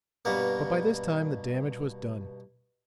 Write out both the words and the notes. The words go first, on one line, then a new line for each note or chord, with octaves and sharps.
But by this time the damage was done.
G2 B2 A#3